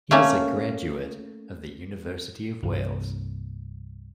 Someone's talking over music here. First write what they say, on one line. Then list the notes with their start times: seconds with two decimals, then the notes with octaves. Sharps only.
He is a graduate of the University of Wales.
0.11 A3 A#3 C#4
2.63 C2 G2